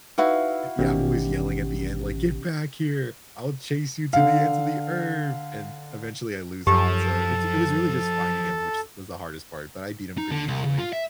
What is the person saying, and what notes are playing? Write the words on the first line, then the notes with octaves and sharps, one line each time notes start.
Yeah, I'm always yelling at the end, like," Get back here, I'll chase you to the ends of the Earth," and eventually, I lose him, and so it it was really just finding him, which was the hardest part, but I beat him pretty easily.
D#4 E4 F#4 B4 E5 F5
A1 B2 D#3 C#4 G4
D3 F5
F#2 F3 G4 A4 A5
D#4
D3
C2
C#3
F4
E5